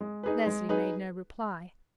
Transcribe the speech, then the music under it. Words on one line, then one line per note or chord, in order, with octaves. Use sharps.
Leslie made no reply.
G#3
D#4 G#4 B4
G#3
D#4 G#4 B4